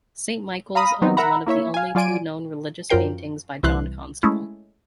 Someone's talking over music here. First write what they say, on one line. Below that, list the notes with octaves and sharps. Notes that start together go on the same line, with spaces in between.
Saint Michael's owns one of only two known religious paintings by John Constable.
F5 A#5 B5 D#6
F#3 G3 B3 C4 D#4
A#4 E5 F#5 A#5 B5
A#3 E4 C#5 E5
F5 G#5
F#3 F4 D5 G#5 D7 D#7
F#2 F3 F4 A#4 G5 C7
C2 E3 E4 C6 F#6
G#3 A3 C#4 E4